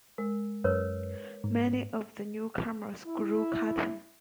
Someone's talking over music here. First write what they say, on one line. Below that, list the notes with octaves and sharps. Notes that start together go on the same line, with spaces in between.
Many of the newcomers grew cotton.
G#3 A#4
F#2 A#4 B4 C#5
G#2
E4